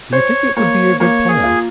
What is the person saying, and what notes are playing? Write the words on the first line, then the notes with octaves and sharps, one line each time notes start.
"Do you think it would be a good plan?"
C5 C#5
A#3 C#5
A#3 C#5
G#4
F4